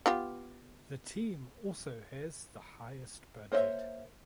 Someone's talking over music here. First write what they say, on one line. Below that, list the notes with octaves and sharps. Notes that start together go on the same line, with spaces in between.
The team also has the highest budget.
B3 F4 G4
A#3 C5 C#5 D#5 E5